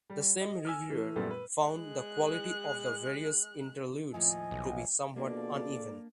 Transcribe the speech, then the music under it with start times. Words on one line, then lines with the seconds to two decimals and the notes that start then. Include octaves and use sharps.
The same reviewer found the quality of the various interludes to be somewhat uneven.
0.10 G3
0.41 D#5
0.65 G#5 E6 F6
0.90 E3 A3
1.16 F#2 A#2 G3 A3 B3
1.31 B4
1.67 G#3 F#6
4.14 D#2 A2 F3 D#5 G#5
4.51 B1
5.16 B2 A#3 D4 F4 G#4 A4 D5